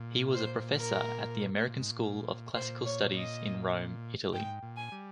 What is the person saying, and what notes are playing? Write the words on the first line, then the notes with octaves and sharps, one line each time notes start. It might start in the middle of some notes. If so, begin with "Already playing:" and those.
He was a professor at the American School of Classical Studies in Rome, Italy.
Already playing: A#2
C5
A#4
A#2
G#2
A#2
A#2 C5
C#5
D#5
G#2 G5
A#2
G#5
G3